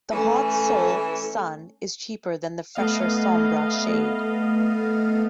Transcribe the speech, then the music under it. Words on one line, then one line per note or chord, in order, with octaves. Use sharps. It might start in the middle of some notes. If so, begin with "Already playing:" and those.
The hot "sol", "sun", is cheaper than the fresher "sombra", "shade".
E3 A3 C#4
A3 B3 D#5 F5